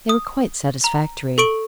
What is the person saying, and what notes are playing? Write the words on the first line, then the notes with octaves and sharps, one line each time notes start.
They were quite satisfactory.
D#6
A#5
A4 C#6 D7 F#7